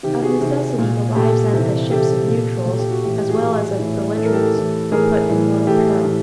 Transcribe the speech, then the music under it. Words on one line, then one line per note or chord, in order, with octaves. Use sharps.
Of necessity the lives and the ships of neutrals, as well as of belligerents, were put in mortal peril.
C3 D#3 G4
F#4 G#4
C3 D#3
A#2
A#2 G4 A4
C3 E3
C3 E3 G4 A4
A#2
A#2 G4 A4
G4
F#4
A2 E3 G4
G4
F#4 G#4
A2 E3
A2 E3
A2 E3 A4
A#4
G4 A4
A2 E3
A2 E3 G#4 A#4
A2 E3
A2 E3 G4 A4
A2 E3